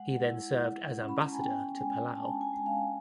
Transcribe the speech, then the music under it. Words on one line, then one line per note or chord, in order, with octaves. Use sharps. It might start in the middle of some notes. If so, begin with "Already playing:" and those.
He then served as ambassador to Palau.
Already playing: G#3 F#5
E4
G#3
C#4
B5
A#5
A5
G#5
B3 G5
G#3 G#5
D4 A5
G#5
G#3
F5